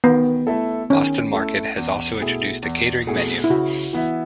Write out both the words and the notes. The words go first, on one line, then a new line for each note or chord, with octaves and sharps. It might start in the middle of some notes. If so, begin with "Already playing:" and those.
Boston Market has also introduced a catering menu.
D#3 B3
A3 E4 A4
D#3 C#4
A3 E4 A4
E2
B2 A3 E4 G#4
E2
B2 A3 E4 G#4
E4
C#3 F#4
E3 B3 E4